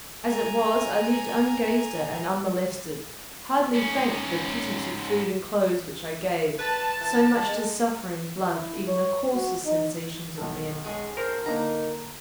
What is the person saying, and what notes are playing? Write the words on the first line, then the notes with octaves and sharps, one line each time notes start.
As it was, I lived ungazed at and unmolested, hardly thanked for the pittance of food and clothes which I gave, so much does suffering blunt even the coarsest sensations of men.
G#5 A#5
G#2 C#4
B4 A5
E3
G#3
E4
C#5
F#4
D#4
B1 A4
G#3 C#4 F#4 G#4
A#4 C5
D3 A#3 D#4 A#5